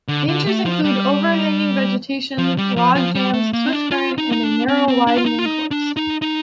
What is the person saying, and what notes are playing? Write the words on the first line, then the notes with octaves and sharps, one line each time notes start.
Dangers include overhanging vegetation, logjams, swift current, and a narrow winding course.
D3
D3
A3
F3
G3
F3
G3
F3
F3
G3
A3
A#3
C4
D4
F4
D#4
D#4
D4
C4
C4
D4
F4
D#4
F4
D#4
D4
D#4
D#4